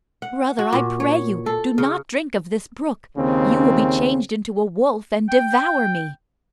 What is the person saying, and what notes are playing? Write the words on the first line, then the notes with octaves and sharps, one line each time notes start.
"Brother, I pray you, do not drink of this brook; you will be changed into a wolf, and devour me."
F#5
F#4
A#2
C#5
A4
C#3
D#2 C#3 C4
G5